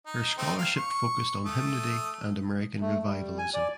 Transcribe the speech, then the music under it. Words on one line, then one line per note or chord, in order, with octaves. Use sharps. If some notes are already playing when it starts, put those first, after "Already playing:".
Her scholarship focused on hymnody and American revivalism.
D#4
A3 C4 D#4
F5
C#6
A3 D#6
A3
G3
G#5
D5